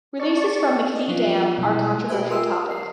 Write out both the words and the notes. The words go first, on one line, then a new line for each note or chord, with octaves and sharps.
Releases from McPhee Dam are a controversial topic.
D5 A5 C#6
D5 D#5
F3 F#3 B3 F4
B2 G3 E4
F#4 G4 B4 C5 E5 G#5
F4 G4 A#4 C6 D#6 E6
C7